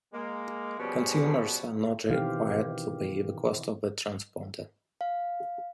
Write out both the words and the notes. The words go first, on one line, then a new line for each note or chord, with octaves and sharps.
Consumers are not required to pay the cost of the transponder.
G#3 A#3
B2 F3 G3 B3 C#4 G#4
B2 D#3 E3 C4 G4 F5
F5